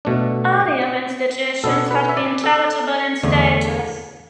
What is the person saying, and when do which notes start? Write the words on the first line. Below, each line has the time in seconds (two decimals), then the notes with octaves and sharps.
Earlier institutions had been charitable in status.
0.05 B2 A3 D4
1.64 B2 B3 D4 A4
1.91 B4
2.09 E5
2.17 D5
2.44 A4
3.23 E2 D3 A3 D4